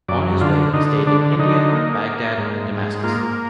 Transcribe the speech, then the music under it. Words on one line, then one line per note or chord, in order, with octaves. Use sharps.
On his way he stayed in India, Baghdad and Damascus.
F#2 D5
D3 F4
D3 D#4
D3 D4
D3 D#4
A#3
A#3
G#2
G#2
A#3 F4